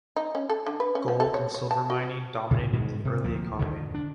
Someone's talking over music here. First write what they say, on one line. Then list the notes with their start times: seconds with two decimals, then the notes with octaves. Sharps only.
Gold and silver mining dominated the early economy.
0.16 D#4
0.35 C#4
0.49 A4
0.66 D3
0.80 B4
0.95 C#4
1.08 F3
1.20 A4
1.34 C#5
1.54 C#5
1.71 A5
1.90 F#4
2.51 A2 C#3
2.73 G#2 B2 D#3 G#3
3.05 C3
3.24 D2 F3 A#3
3.59 F2 B2 D3 D#3
3.94 D4